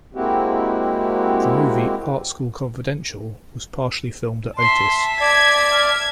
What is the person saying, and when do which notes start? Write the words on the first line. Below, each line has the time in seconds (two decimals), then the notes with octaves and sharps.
The movie "Art School Confidential" was partially filmed at Otis.
0.15 G#3 A#3 C4 E4 F#4 G4
4.57 E5 A5 C6
5.21 D5 G#6 B6
5.71 F6